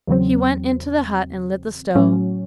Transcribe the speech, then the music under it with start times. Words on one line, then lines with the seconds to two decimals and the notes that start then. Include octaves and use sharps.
He went into the hut and lit the stove.
0.07 E2 C#3 F#3 C4
1.95 A2 F#3 C#4